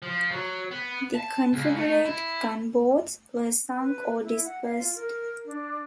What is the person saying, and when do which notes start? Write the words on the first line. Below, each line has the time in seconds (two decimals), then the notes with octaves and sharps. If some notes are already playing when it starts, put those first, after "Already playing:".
The Confederate gunboats were sunk or dispersed.
0.02 F3
0.31 F#3
0.71 B3
1.15 A5
1.53 C#2
1.77 A3
2.06 E4
3.80 B4
4.22 E4
4.45 F#5
4.65 F5
4.79 F4
4.95 A#4
5.45 D4